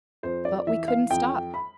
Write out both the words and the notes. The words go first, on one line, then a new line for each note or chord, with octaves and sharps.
But we couldn't stop.
F2 C5
D5
E3 E5
F5
F2 G5
B5